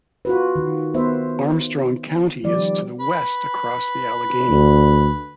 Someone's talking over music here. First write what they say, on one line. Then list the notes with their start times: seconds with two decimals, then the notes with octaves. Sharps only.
Armstrong County is to the west across the Allegheny.
0.25 F4 F#4 B4
0.56 D#3
0.94 B3 B4 C5 E5
2.43 D#3 F3 G3 D5
3.00 B4
4.49 D2